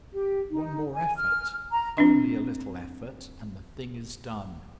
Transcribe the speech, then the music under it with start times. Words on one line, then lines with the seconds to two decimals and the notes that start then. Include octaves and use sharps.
One more effort, only a little effort, and the thing is done.
0.13 G4
0.50 D#4
0.94 G#5
1.17 F6
1.71 A#5
1.98 C4 D4